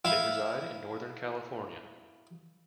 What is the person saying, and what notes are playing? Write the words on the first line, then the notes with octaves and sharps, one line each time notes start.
They reside in northern California.
E4 E5 F5